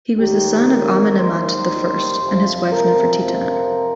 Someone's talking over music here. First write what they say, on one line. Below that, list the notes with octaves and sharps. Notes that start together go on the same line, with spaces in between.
He was the son of Amenemhat the First and his wife Nefertitanen.
D#2 D#3 G3 G4
A#4
C5
F2 C3 F3
A#4
A#4